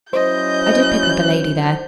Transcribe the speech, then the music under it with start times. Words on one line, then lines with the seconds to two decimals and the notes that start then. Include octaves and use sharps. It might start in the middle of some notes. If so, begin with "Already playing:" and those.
I did pick up a lady there.
0.13 F#3 C#4 E4 C5 D#5 G6